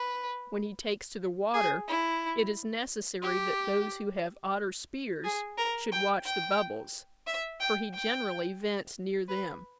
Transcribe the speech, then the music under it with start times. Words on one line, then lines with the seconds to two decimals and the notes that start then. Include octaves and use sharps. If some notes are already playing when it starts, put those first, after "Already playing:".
When he takes to the water, it is necessary that those who have otter-spears should watch the bubbles, for he generally vents near them.
Already playing: B4
1.54 G#4
1.88 E4
3.23 G4
5.24 G#4
5.58 A#4
5.92 G5
6.26 G5
7.27 E5
7.60 G5
7.94 G5
9.28 B4